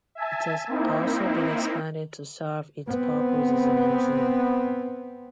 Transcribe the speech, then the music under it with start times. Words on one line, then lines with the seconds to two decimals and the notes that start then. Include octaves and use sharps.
It has also been expanded to serve its purpose as a museum.
0.15 E5 G#5 A5
0.67 A#3 C4 D#4 E4
2.87 B3 C4